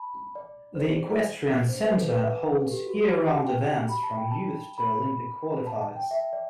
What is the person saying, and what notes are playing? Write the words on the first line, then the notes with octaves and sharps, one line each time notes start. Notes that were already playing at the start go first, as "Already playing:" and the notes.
The equestrian center holds year-round events from youth to Olympic qualifiers.
Already playing: A5 B5
D5
C5
D5
C5
B4
A4
B4
A4
G4
F#4
F#4
G4
A5
G5
B5
A5
G5
A5
B5
A5
A5
G5
E5
D5